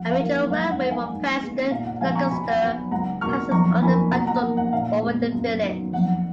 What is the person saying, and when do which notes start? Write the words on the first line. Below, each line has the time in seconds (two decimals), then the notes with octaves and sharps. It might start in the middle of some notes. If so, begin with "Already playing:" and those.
A major railway from Preston to Lancaster passes on a viaduct over the village.
Already playing: F2 F#5
0.10 F5
0.19 D#3 F#3 A#3
0.50 G#2 F5
0.71 F#5
0.81 D#3 A#3
0.91 F5 G#5
1.11 G#2
1.40 D#3 G#3 B3
1.71 A#2 F5
1.87 F#5
2.01 F3 G#3 B3 F5 G#5
2.15 A#5 C#6
2.31 B2 G#5 B5
2.51 F#5
2.62 F#3 B3
2.91 C#2 F#5 A#5
3.21 B2 F#3 A#3 C#6 F6
3.51 F2 A#5 C#6
3.82 F3 A#3 G#5 B5
4.12 B2 F#5 A#5
4.27 F#5 A#5
4.42 A#3
4.57 F#5
4.73 A#2 F5
5.03 G#3 B3
5.32 F#2
5.63 D#3 F#3 B3
5.93 F2 F#5